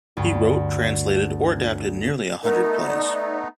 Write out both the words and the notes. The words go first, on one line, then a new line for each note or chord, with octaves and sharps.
He wrote, translated or adapted nearly a hundred plays.
D2 G2
A3 B3 D#4 A#4
D5